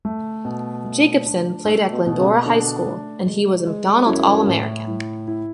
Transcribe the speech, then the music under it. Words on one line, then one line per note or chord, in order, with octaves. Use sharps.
Jacobsen played at Glendora High School, and he was a McDonald's All-American.
A3
B2
A3
D4
G#2 A3
B2
B2
C#3
D3 D4
A3
G#3
G#3
F#2 E4
A2
E4
E4